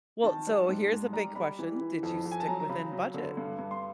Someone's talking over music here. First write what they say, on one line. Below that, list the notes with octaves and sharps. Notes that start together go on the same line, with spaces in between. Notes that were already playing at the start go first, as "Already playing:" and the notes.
Well, so here's a big question, did you stick within budget?
D#3 A5
G3
G#2
G#2
G3 A#5
G3 B5
E3
E3
F2
F2
G#5
A5
F#3 A#5
A#5
C#3 B5
F#3
D3
G2
G2
C6